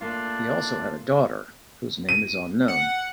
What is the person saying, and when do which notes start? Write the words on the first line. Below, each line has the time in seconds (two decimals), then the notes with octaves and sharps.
He also had a daughter, whose name is unknown.
0.01 A3 A#3 D4 F4
2.09 D#7
2.68 F#5